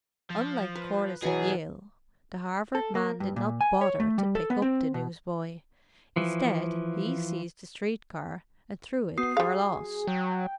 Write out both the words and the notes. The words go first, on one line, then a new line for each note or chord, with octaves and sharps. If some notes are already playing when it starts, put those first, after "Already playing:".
Unlike Corliss of Yale, the Harvard man did not bother to pick up the newsboy. Instead he seized the street car and threw it for a loss.
F3
B4
B2 E3 F#3 G#4
A4
A#3
G2
A#2
G#5
C#5
A3
G3
A4
B3
C4
B2
E3 F3
B3 F#4 D#6 C7
G3 G#4 F5
F#3 G5